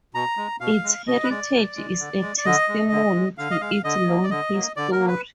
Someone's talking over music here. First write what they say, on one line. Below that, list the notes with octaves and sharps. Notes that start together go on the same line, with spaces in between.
Its heritage is a testimony to its long history.
B2 A#5
G#3
B2 F5
G#3
B2 D#5
B4
G#3 D5
B2
G#3
D3
G#3
D5
D3 D#5
G#3
D3
G#3
D3 F5
D#5
G#3 F5
D3 D#5
F#3 A#3
D5
D3 D#5
F#3 A#3
D3 D5
A#4
F#3 A#3
B4